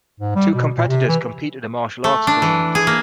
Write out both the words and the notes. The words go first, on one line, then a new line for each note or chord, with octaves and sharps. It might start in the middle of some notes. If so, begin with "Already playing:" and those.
Two competitors compete at a martial arts tournament.
G#2
G3
B2
A#2
C3
E3
A3
D4
E3
G#4
A#3